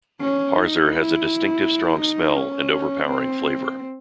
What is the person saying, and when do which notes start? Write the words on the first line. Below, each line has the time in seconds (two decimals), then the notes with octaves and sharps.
Harzer has a distinctive strong smell and overpowering flavour.
0.21 C#4
0.56 D#4
0.92 E4
2.00 D#4
2.36 C#4
3.08 C4